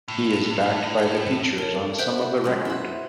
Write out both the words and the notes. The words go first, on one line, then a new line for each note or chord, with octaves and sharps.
He is backed by the Features on some of the record.
A2
A4 A#4 C#5
C5 E5 F#5 G6 D7
A3
F#3 G#3 C#4 E4
E4 C5 E5 F#5 B5